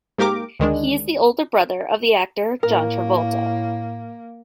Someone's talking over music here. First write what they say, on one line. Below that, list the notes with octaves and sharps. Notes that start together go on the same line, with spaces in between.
He is the older brother of the actor John Travolta.
G#2 A#3 G4 A#4 D6
D2 D#3 G#3 D4
A2 A#3 A#4